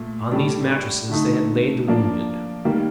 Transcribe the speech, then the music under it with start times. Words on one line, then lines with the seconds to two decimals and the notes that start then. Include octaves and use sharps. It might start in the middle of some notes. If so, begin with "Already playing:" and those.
On these mattresses they had laid the wounded.
Already playing: A#2 A3
0.31 A2 G3 D4
1.09 D3 A3 D#4
1.87 F3 A#3 D4
2.65 D#3 G3 A#3